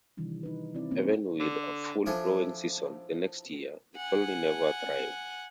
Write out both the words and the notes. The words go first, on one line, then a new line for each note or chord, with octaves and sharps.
Even with a full growing season the next year, the colony never thrived.
C3 D#3 E3 G3 D4
D#4 B4
C4 E4 D5
A#3 C4 C#4
D3
F3 D4 E4 A4 G#5
F#5 G#5